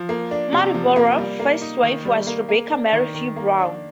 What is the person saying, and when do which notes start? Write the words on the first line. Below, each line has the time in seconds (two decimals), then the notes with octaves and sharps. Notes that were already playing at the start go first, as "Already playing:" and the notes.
Marlborough's first wife was Rebecca Mary Few Brown.
Already playing: F3
0.09 A#3
0.31 D4
0.52 C3
0.74 F3
0.96 A#3
1.18 G3
1.39 A#3
1.61 D#4
1.83 D#3
2.05 G3
2.27 A#3
2.49 A#3
2.70 D4
2.93 D#3
3.14 D#3
3.36 A#3
3.58 D4